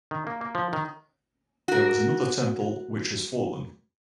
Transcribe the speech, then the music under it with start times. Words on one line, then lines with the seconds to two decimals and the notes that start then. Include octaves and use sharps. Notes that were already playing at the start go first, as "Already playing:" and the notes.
There was another temple which has fallen.
0.11 D#3
0.27 A#3
0.41 A#3
0.55 F3
0.73 D#3
1.68 F#4 A#4